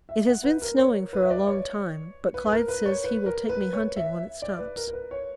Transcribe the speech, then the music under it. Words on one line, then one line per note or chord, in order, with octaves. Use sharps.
It has been snowing for a long time, but Clyde says he will take me hunting when it stops.
E5
F#5
B4
A#4
C#5
B4
E5
D5
C#5
B4
B4
A#4
B4
C#5
B4
A#4
B4
C#5
E5
D5
B4
A#4
A#4
B4
C#5